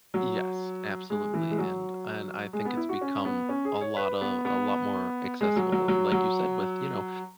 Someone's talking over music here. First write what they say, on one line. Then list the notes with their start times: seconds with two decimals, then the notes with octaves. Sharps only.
Yes, absolutely, and and I think it's become a lotta a lot more accessible, like you said, with, you know,
0.14 F#3
1.10 G#3
1.34 E3
1.51 G#3
1.58 F#3
2.53 G#3
2.65 B3
2.77 E4
2.89 F#4
3.01 C#4
3.25 B3
3.49 C#4
3.65 G#4
3.81 C#5
3.97 B4
4.21 B3
4.45 B3
5.41 G#3
5.56 F#3
5.72 F#3
5.88 F#3
6.12 F#3